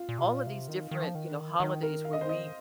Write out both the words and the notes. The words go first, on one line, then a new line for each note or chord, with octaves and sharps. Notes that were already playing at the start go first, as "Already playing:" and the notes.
all of these different, you know, holidays where we
Already playing: F4
A#2
C3
A#2
C3
D#3 D#4
D#3
F3
D#3
D#3 D#4
A#4
F5
D#5
C5
D#5